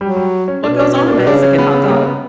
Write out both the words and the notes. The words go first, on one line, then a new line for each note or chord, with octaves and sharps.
What goes on a Mexican hot dog?
F#3 G3
G3
C#4
B2 D4
D4
C#4
A#2 D4
B2
C#3 D4
C#4
B3
B3
G3
A#3
B3